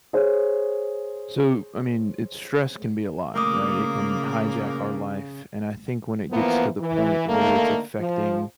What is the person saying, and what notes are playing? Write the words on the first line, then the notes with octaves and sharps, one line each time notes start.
So, I mean, it's stress can be a lot, right? It can hijack our life, and I think when it gets to the point where it's affecting
G#4 C5 C#5
A#2 C#3 A3 A#3 D6 D#6
E3 F3 A#3 B3
E3
D3 D#3 A3 A#3
F3